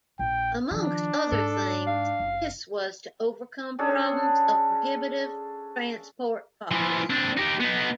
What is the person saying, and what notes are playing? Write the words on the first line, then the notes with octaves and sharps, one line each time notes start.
Amongst other things this was to overcome problems of prohibitive transport costs.
A#1 G5
D#3 F3 D4
G#2 A4
F5
F#1
C#4 D4 G#4 A4
E3 F3
C4 D4
D#4 G4
B3 D#4